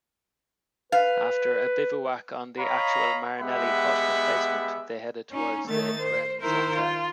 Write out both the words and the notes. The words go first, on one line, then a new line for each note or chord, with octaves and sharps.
After a bivouac on the actual Marinelli hut emplacement, they headed towards the Grenzsattel.
B4 F5
C#5 D#5 F5 A#5 B5
G#3 B3 G4 E5 F#5 B5
C#4 D#4
D#3 A3 A6
C5
D#3 E4 A#4 C5
F4